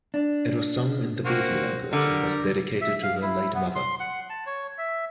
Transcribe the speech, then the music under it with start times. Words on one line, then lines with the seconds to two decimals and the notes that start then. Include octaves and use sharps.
It was sung in the Beti language and was dedicated to her late mother.
0.14 D4
1.25 A#3 C4 F#4
1.93 D3 G3 A#4
2.81 E5
3.03 F5
3.22 E4
3.55 B3
3.75 C6
4.00 F#5
4.30 A5
4.46 C#5
4.78 E5